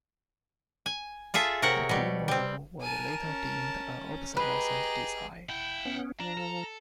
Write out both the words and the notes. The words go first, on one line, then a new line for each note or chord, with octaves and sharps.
The "D" model was later deemed an obsolescent design.
G#5
F4 G#4 A4 E5
C3 A#4 C#5 F#5
B2 G3
G3 C4
A#4 G#5 A5 D#7
C#4
G4 G#4 B4 D#5 A#5
E4 F#5 G5
B3 C#4
F3 D4 A#5
A4